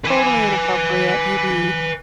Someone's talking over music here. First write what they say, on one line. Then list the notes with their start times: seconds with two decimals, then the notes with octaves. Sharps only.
totally inappropriate maybe
0.04 B4 G#5